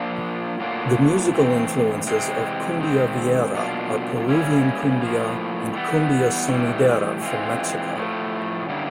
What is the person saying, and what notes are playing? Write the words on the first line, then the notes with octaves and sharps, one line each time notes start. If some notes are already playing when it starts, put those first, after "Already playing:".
The musical influences of Cumbia Villera are Peruvian Cumbia and Cumbia Sonidera from Mexico.
Already playing: F3 A#3 D4 F4
A2 F#3 A#3 D4 F4
A2 E3 A3 C4
C3 E3 G#3 C4
D#3 G#3 C4
B2 F#3 A#3 D4 F4
G3 A#3 C#4 E4
A2 F3 A#3
E3 G3 B3
A2 E3 G3
E3 G#3 C4 F4
A2 F3 A3
D3 G3 A#3 C#4 E4